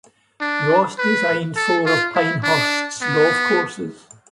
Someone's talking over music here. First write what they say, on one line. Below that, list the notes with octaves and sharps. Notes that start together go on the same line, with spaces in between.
Ross designed four of Pinehurst's golf courses.
D4
B4
A4
F4
E4
D4
B3